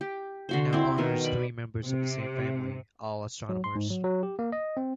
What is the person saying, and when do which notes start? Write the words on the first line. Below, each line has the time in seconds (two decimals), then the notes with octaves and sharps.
It now honors three members of the same family, all astronomers.
0.01 G4
0.49 D3 F#4 C5
0.73 C4 E4
0.98 B2 D#3 A#4
1.24 D5 B5
1.84 C3
3.49 F#3
3.64 C6
3.75 G#2
3.90 F#3
4.04 F#3
4.23 G4
4.39 A#3
4.52 D#5
4.77 C4